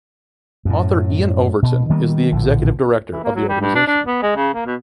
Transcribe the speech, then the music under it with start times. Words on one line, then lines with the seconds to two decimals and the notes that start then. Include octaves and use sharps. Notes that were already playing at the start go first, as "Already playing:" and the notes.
Author Iain Overton is the Executive Director of the organisation.
0.65 F#2 A2
1.63 B2
1.90 D#3 G3 A#3 B3
2.31 A#1 A2 D3 F3
3.12 E3
3.24 A#3
3.35 F#3
3.48 G3
3.60 G2
3.75 D4
3.87 D4
4.06 B3
4.22 G#3
4.36 C#3
4.54 A#3
4.66 B2